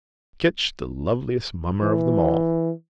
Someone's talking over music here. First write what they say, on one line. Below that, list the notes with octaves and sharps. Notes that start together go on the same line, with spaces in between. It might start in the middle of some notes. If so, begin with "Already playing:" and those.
Kinch, the loveliest mummer of them all!
E3